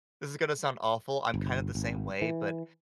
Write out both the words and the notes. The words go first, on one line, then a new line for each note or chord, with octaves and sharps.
this is gonna sound awful. I'm kinda the same way, but
G1
G#1
E3